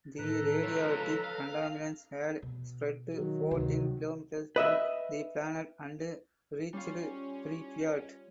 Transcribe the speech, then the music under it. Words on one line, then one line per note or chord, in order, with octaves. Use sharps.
The radioactive contaminants had spread fourteen kilometers from the plant and reached Pripyat.
A2 D#3 A4 B4 A#5
C#2 F3 C#5
F5
B2
D#3 F#3
D2 C3
B4 D#5 E5
G3 C#4 F4